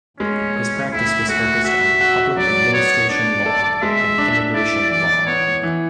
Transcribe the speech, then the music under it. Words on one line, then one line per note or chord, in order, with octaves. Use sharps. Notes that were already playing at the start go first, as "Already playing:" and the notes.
His practice was focused on Public Administration Law and Immigration Law.
G#3 C#4
G#3
D2 E4
D2 F#4
F#4 E5
F#4
F#3 D5
B3 C#5
D4 D5
A4
G#3 E5
D4
E4 D5
E3 D5
B3 C#5
E3